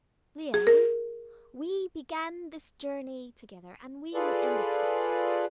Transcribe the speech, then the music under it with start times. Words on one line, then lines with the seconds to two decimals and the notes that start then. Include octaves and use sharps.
Leo, we began this journey together and we will end it together.
0.54 G#4
0.67 A#4
4.14 F4 G#4 A4 B4 D5